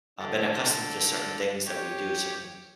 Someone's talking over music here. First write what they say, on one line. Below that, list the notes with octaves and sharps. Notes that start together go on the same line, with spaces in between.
uh, been accustomed to certain things that we do, certain s
D3 A4
G4 C#5